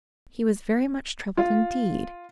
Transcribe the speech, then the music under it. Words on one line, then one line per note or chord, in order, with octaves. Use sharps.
He was very much troubled, indeed.
F4